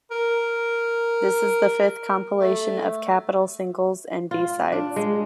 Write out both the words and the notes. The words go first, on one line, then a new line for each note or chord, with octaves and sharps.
This is the fifth compilation of Capitol singles and B-sides.
A#4
A3
F4
D4
G#3